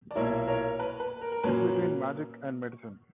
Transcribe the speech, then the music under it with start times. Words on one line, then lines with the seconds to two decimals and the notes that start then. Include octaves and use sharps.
It's between magic and medicine.
0.11 D5
0.15 B1 A#2 A#3 E4 A#4 C#5
0.47 A#4 C#5
0.79 B4
1.00 B4
1.21 A#4
1.32 A#4
1.43 A#2 F#3 A#3 C#4 B4